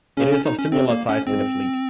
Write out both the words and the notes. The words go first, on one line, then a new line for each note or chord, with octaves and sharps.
It is of similar size to the Fleet.
C#3 C#4
C#4
D#4
C#4
C3 C4
A#3
C#4
G#2 C4